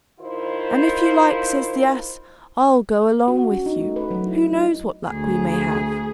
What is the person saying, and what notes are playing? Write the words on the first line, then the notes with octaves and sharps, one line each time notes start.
"And if you like," says the ass, "I'll go along with you; who knows what luck we may have!"
D#3 E4 F4 C5
F#4
C#4
D#4
A3
B4
F#3
E4
F#3
D#4
D2 G#4